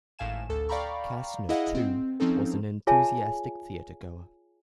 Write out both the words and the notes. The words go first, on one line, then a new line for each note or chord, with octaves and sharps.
Kassner, too, was an enthusiastic theater-goer.
G#1 A2 F5 G#5 E7
D2 A4
D5 F5 G5 A#5 B5 C#6
E4 G#4 D#5 F5 F#5
C4
F3 C4 C#4 D#4 A4
F4 G#4 C#5 E5 G#5 A5